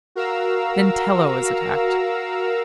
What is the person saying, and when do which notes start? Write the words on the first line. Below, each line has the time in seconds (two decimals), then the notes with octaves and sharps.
Then Tela was attacked.
0.15 F#4 A#4 F5 A#5 E6